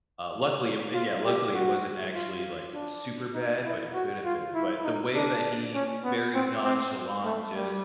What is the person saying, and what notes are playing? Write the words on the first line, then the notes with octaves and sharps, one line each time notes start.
uh, luckily, it wa uh, yeah, luckily, it wasn't actually, like, super bad, but it could've been. But the way that he very nonchalant just,
F4
G4
F#4
F4
D4
D#4
E4
F#4
F4
E4
D#4
D4
C#4
B3
C4
C4
A3
G3